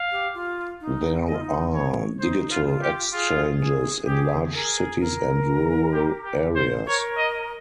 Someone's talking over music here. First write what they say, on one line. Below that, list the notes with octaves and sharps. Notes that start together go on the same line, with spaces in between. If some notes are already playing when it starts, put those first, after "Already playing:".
There are digital exchanges in large cities and rural areas.
Already playing: F5
G4
F4
D#4
D#4 D#5
F4
D#4
C#5
D#4 C5
F4
F4
G4
F4 G#4
G#4
G4 G#4
G#4 A#4
A#4
G4
G4
C5
A#4 C#5
D#5